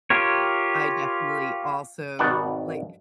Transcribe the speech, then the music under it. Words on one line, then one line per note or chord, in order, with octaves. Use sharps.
I definitely also, like
F4 G4 A#4 C#5
G#1 B2 D#3 B3 D5 F#5